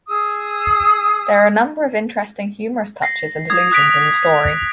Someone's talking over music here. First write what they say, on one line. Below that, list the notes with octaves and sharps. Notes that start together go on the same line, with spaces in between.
There are a number of interesting humorous touches and allusions in the story.
G#4 D#6 E6
A#6 C7
D#6 G#6
D#6 F#6 B6 D7 F7